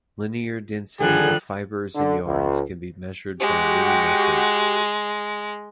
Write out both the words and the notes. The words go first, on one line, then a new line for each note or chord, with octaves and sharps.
Linear density of fibers and yarns can be measured by many methods.
D3 D#3 F3 G3 G#4 A4 F#6
D3
C#2
G#3 F#4 G4